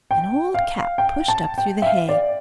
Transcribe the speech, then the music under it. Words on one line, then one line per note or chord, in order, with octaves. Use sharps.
An old cap pushed up through the hay.
G5
F5
G5
A5
G5
E5
F5
D5